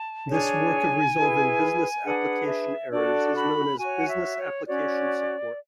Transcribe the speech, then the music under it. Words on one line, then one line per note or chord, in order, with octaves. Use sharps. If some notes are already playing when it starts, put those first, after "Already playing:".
This work of resolving business application errors is known as business application support.
Already playing: A5
D4 G#4 C#5 G#5
E4 G#4 B4
D4 G#4 B4 F#5
E5
D4 F#4 A4 D5
B5
F#4 C#5 G#5
F#5
E5
C#5
C#4 F#4 C#5 D5